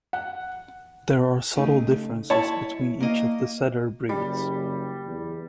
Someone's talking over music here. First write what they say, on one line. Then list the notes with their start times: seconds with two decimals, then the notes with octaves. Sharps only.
There are subtle differences between each of the setter breeds.
0.13 F#5
1.56 C#3 A3 D#4
2.30 E4 C#5 A5
3.00 A#3 D#5 F5
4.09 F#1 G3
5.06 E2